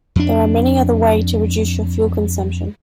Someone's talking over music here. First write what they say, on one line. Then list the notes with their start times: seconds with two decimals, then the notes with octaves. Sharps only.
There are many other way to reduce your fuel consumption.
0.16 F2 D4